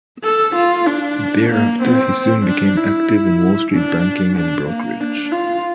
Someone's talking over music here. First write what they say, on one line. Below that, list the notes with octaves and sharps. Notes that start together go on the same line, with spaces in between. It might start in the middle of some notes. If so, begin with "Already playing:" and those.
Thereafter he soon became active in Wall Street banking and brokerage.
A4
F4
D4
A#3
C4
D4
E4
D4
D4
A#3
D4
F4